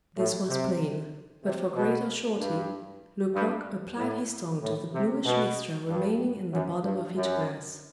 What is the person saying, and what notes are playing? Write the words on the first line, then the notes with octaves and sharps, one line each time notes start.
This was plain, but for greater surety, Lecoq applied his tongue to the bluish mixture remaining in the bottom of each glass.
A2
C3
C3
B2
G2
G2
A2
A2
C3
B2
G2
F#2
G2
F#2